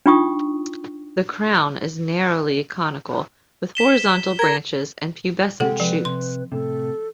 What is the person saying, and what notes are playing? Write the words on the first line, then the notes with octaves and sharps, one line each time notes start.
The crown is narrowly conical with horizontal branches and pubescent shoots.
D4 D#4 F4 G5 C#6 D#6
B6 E7 G7
A#4 G#6 A#6
C3 G#3 G4 A4 F#5
F3 B4
C3 C6
A2 C3 A4